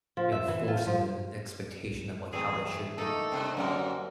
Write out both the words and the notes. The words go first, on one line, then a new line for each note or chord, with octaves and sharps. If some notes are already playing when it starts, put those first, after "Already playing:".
you know, forcing a expectation of, like, how they should be,
F3
E5
E3
F4
F3
E3 A3 C4 G#4
A3 A#3 D#4 A4
G2 C3 G3 C5
F#2 D3 A#3 C4 A#4